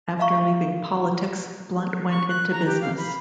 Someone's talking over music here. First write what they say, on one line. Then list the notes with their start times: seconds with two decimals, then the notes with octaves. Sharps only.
After leaving politics Blunt went into business.
0.19 E5 F5 A#5 C#6
2.11 C#6
2.29 F#6
2.52 A#5
2.66 G4
2.81 F5
2.97 B5